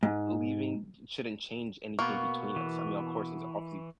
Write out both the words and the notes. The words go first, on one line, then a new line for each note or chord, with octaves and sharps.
leaving shouldn't change anything between us, I mean, of course, it's obviously
G#2
B2 A#3 B3 C#6
E3